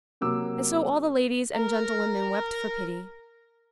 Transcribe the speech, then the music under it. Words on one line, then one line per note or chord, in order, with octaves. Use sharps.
And so all the ladies and gentlewomen wept for pity.
C3 F#3 A#3 D6 E6
A#4 A#5